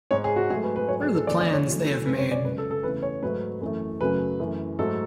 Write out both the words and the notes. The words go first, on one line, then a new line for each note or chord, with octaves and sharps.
What are the plans they have made?
G#2 G#3 C#5
G#4
F#4
G#2 F#3 A3 G#4
B4
B4
G#2 F#3 A3 C#5
G#4
A4
E2 D3 A3 D5
D5
C#5
E2 D3 F#3 A3
A4
F#2 C#3 G#3 B4
C#5
D5
F#2 C#3 G#3 B4
A4
A4
E2 C#3 E3 A3 B4
C#5
G#2 F#3 A3 B4
F#2 E3 A3
F#2 C#3 F#3 A3 B4
F#2 E3 A3
G#2 F#3 A3 A4